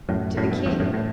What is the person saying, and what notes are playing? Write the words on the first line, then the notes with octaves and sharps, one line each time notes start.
"To the king."
F#2 A2
F#2 A2
G2 B2
E2 G2
F#2 A2
A2